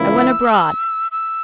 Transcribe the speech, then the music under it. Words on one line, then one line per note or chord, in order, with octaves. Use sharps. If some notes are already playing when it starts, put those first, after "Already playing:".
I went abroad.
Already playing: C#2 C#3 E3 A#3 E4
E6
E6